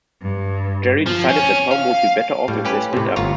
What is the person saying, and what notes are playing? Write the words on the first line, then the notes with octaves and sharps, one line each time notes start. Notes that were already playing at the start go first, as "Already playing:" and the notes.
Gerry decides that Tom would be better off if they split up.
G2
F3
C#4
F5
A2 G3
C#4 G4 B4
A2 C3
G1 F4 C#5 A#5